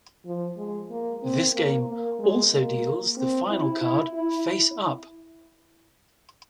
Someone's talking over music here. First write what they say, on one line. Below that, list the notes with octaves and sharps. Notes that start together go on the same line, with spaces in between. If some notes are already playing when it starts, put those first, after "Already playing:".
This game also deals the final card face up.
F3
G#3
A#3
C4
A#3
A#3
G#3
A#3
C4
E4
E4
E4